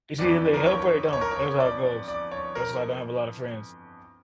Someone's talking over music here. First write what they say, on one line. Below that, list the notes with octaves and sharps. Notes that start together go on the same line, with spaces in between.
It's either they help or they don't, that's how it goes. That's why I don't have a lot of friends,
G1 F2 E3 D5
A#4
C#5
C#5
A#4
C#5
D5
D5
C#5
A#4